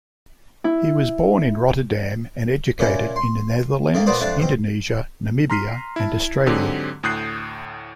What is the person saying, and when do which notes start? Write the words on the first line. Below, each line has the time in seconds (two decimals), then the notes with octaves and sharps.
He was born in Rotterdam, and educated in the Netherlands, Indonesia, Namibia and Australia.
0.64 E4
2.79 A#2 C#4 E4
3.16 C6
3.94 D#3 A3 A#3
4.06 A#2 B3 C5 D5 D#6
4.21 F2 D4 F4 E5 A5
4.39 B2 C4
5.50 A#5 C6 F6 B6 C7 D#7
5.96 E4 A5
6.46 G#2 D3 F#3 C4 G4 G#4
7.03 D2 A2 D#6 F#6 G6 C7